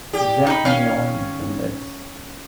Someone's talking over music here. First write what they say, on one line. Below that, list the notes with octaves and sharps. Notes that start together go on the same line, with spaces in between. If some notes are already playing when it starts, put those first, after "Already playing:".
Exempt me only from this!
G4 D5
D#4 B5
D#3 C#4 F5